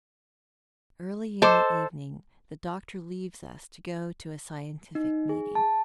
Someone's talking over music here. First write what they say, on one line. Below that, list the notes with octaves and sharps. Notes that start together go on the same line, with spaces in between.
Early in the evening the doctor leaves us to go to a scientific meeting.
A4 C5 D#5 D6
D#4
G#4
A5